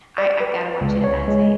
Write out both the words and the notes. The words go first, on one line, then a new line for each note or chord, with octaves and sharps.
I I've gotta watch it as a
D5
B4
C#2
C#5
G#3